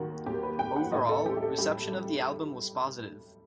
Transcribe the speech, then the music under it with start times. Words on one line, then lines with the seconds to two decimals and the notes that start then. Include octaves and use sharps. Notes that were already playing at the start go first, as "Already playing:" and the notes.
Overall, reception of the album was positive.
Already playing: D#2 D#3 F#4
0.26 D#2 G4
0.43 B4
0.59 D#2 G5
0.76 F#5
0.92 A2 D#5
1.09 A4
1.25 A1 G4
1.37 G4
1.43 A4
1.58 G3 G4
1.92 G3